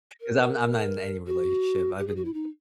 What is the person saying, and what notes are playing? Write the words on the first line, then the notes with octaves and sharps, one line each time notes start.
'cause I'm I'm not in any relationship. I've been
A#4
F#4
G4
G#4
F#4
E4
D#4